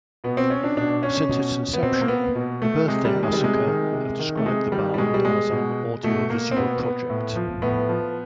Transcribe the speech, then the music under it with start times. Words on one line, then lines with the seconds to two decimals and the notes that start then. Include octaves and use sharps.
Since its inception, The Birthday Massacre have described the band as an audio-visual project.
0.24 B2 B3
0.37 C4
0.50 C#4
0.64 D4
0.77 B2 D4
1.03 C#4
1.29 B2
1.73 B3
1.82 B2 C4
2.01 A#3
2.08 B3
2.35 B2
2.62 A3
2.88 C3 G#3
3.05 G3
3.14 D#3
3.23 G#3
3.33 G3
3.41 C3 G#3
3.67 D#3
3.93 C3
4.19 D#3
4.37 A3
4.46 C3 G#3
4.72 D#3 G3
4.94 G3
4.98 B2 G#3
5.14 G3
5.25 G#3
5.51 B2
6.03 B2 A3
6.30 A#3
6.51 C4
6.56 B2 B3
6.83 B3
7.10 A2
7.35 F3
7.62 A2 B3
7.89 F3